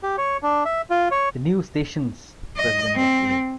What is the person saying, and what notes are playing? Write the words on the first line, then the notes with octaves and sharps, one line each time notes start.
The new station's president was A.
G4
C#5
D4
E5
F4
C#5
D#5
C4